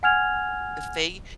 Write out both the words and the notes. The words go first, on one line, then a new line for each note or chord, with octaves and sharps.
if they
F#5 G#5 F6 G#6 F7